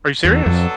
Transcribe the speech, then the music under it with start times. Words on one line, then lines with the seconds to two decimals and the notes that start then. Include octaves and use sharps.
Are you serious?
0.25 E2 F#3 B3 D4 F#4 A4
0.46 F2